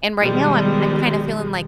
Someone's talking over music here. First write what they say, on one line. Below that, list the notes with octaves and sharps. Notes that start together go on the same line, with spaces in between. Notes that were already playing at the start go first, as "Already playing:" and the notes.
And right now, I'm I'm kinda feeling like
B2 D#3 F3 G3 G#3